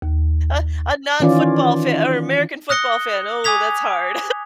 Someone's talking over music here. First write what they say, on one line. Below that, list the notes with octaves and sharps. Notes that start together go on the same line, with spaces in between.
a a non football fan or American football fan, oh that's hard.
D#2
D#3 E3 C#4 F4 D5
D#6 F#6 A#6 C#7 G7
G#5 D6 D#6 G#6 B6 F7